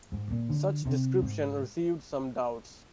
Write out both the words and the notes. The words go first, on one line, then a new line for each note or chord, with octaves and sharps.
Such description received some doubts.
G#2
A#2
D3
C3
G#2